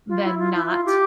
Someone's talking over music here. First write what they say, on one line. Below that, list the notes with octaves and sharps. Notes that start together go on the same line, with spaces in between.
than not,
F4
E4
F4
E4
F4
G4